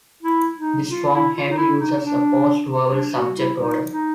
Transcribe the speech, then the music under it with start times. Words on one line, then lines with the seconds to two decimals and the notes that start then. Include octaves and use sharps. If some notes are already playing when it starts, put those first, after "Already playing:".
This form heavily uses a post-verbal subject order.
0.23 E4
0.56 D#4
0.90 F4
1.12 E4
1.35 F4
1.50 D#4
1.57 E4
1.80 D#4
2.03 D4
2.91 D4
3.15 F#4
3.37 E4
3.60 D#4
3.93 D#4